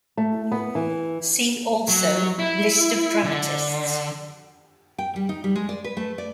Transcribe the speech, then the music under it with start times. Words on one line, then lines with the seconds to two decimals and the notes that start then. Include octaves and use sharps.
See also: List of dramatists.
0.17 A3
0.52 B3
0.75 E3
1.88 F#3
2.39 E4
3.24 D3
4.98 G5
5.16 G3
5.29 D#4
5.44 G3
5.56 G#3
5.69 D5
5.84 B4
5.97 A3
6.18 D5